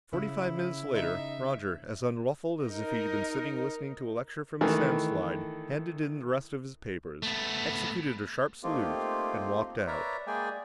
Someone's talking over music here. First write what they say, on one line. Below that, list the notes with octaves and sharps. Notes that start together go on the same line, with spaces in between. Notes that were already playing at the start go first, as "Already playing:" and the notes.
Forty-five minutes later, Roger, as unruffled as if he had been sitting listening to a lecture from a sound slide, handed in the rest of his papers, executed a sharp salute and walked out.
C#3 E4
D#4 E5
D#4 A#4
D#3 E3 A3
A3 B3
A3 A#3 C4 D#4 F4 G4
A#4 B4 C#5 D5 E5 A#5
G#3 A#3 G#4 D5 G5 G#5